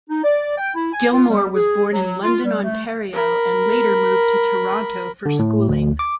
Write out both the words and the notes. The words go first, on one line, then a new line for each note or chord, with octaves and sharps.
Gilmour was born in London, Ontario, and later moved to Toronto for schooling.
D#4
D5
G5
E4
G#5
F4
G3
G#4
F#3
F4
G3
A3
A#4 B5
D3
A2
D2
D6